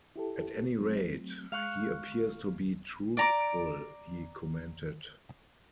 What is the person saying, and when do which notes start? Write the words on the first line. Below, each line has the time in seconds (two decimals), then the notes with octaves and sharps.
"At any rate he appears to be truthful," he commented.
0.16 E4 G4 A4
0.81 F#3 A3 C4
1.52 G#3 F5 C#6 F#6
3.17 D5 A#5 D6